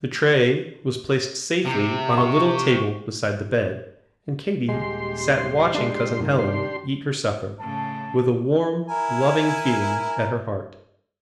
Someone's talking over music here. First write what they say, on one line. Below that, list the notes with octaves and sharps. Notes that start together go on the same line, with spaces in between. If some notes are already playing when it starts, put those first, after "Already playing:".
The tray was placed safely on a little table beside the bed, and Katy sat watching Cousin Helen eat her supper with a warm, loving feeling at her heart.
C3
C#6
D#1 G#3 G4 C6
G#3 D4
G2 C3 D#3
D4 G4 C6
A2 C#3 A5
E4 A#4 G#5